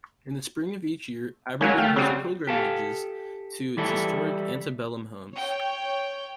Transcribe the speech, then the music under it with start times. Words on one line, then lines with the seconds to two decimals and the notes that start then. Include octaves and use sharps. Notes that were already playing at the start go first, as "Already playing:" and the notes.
In the spring of each year, Aberdeen hosts pilgrimages to its historic antebellum homes.
1.61 F#3 G#3 A#3 C#4
1.78 A3 F5 G5
1.96 C#3 F#3 G3 C4
2.47 G4 A4 F5
3.77 E3 G3 E4 A4
5.34 C#5 G5